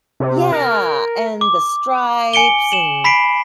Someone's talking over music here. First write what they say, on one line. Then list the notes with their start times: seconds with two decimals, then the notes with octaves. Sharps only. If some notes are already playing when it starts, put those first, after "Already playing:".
Yeah. And The Stripes and
0.20 C3
0.52 A#4
1.41 D6
2.33 G#5 C#7 D7 G7
2.72 E7 F#7
3.04 B5 B6 C7 D7